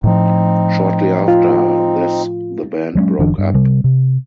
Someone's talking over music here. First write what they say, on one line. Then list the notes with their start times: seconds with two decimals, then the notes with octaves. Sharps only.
Shortly after this the band broke up.
0.04 A2 F3 C4 D#4
1.28 F4
2.95 F#3 G#3 A#3 C#4
3.19 F#1 D#3 F3 D4
3.38 G2
3.54 C3 G3
3.84 C3